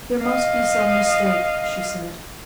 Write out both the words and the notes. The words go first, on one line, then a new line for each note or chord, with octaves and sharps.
"There must be some mistake," she said.
D#5 F5